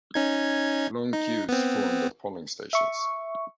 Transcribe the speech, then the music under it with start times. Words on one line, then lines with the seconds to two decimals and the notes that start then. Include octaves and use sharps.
Long queues formed at polling stations.
0.14 C#4 D#4 G#6
1.13 D#4
1.49 B3 C4
2.73 E5 C#6